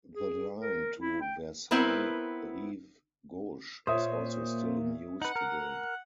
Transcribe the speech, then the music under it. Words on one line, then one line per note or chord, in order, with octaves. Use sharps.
The line to Versailles-Rive-Gauche is also still in use today.
G#4
A#4
E4
G5
B3 C4 E4 A#4 B4
A#2 C5 C#5 E5 D#6
D#4 B4 F#5
A#4